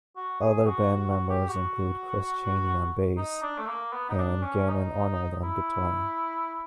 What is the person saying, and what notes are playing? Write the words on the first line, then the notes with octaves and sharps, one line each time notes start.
Other band members include Chris Chaney on bass and Gannin Arnold on guitar.
F#4
G#4
F#4
F#4
F#4
G4
F#4
D#4
D4
A3
A#3
B3
D#4
D4
C#4
D#4
E4